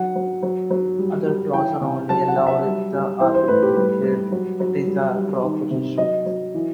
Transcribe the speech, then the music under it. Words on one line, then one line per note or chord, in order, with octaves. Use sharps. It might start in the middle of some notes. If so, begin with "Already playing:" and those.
Other draws are only allowed if the arbiter declares it is a drawn position.
Already playing: F#3 F#5
F#3
F#3
F#3
G3
G3
E3 G5
C3
F#3 A5
F#5
F#3
E5
G3
G3
E3 C5
C5
A2 B4
G4
G3 B4
G3
F#3
F#3
G3
G3
D#3
C3
F#3 D#5
F#3
E3